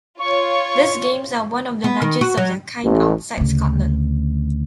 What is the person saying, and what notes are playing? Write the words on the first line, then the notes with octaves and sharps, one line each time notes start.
These Games are one of the largest of their kind outside Scotland.
F4 C#5 C#6
B3
D#3
F#4
F#3
A1
D2 C#3